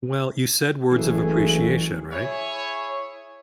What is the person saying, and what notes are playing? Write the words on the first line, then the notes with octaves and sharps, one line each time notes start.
Well, you said words of appreciation, right?
F#1 E3 A3 G#4
E4 G#4 C#5